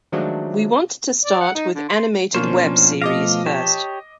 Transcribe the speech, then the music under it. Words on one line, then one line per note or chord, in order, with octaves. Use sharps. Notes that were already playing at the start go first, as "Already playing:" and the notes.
We want to start with animated Web series first.
D#3 F3 F#3 G#3 A3 D4
D5
F#5
D#4
D3
C6
B2 F3 A#3 C#4 D4 C5 C#6 F6
A3 D#5 F5 D6 A#6
G4 C#5 A5